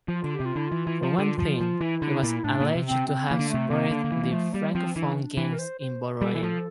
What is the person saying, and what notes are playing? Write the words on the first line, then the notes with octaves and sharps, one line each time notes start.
For one thing, he was alleged to have supported the Francophone gangs in Voeren.
F3
F4
D3
G4
C3
F4
D3 E4
E3 F4
E3
F3
D3
F3
F3
E3 E4
D3
A#2
E4
A2 D4
A#2
C3
C4
C3
C4
E3 A#3
D3
A3
C3
C3 A#3
D3
D3
E3
E3
F3 A3
G3 A#3
A#3
F3 C4
E3 D4
E3
A#4
C5
C5
G3 A4
E3
F3